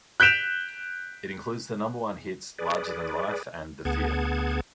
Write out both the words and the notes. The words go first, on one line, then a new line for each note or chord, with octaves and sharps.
It includes the number-one hits: "Larger Than Life" and "The Fear".
F#6 G6 B6 D7 E7 F7
G#4 B4 D5
D2 B3 G#4 F#5 A5 G#6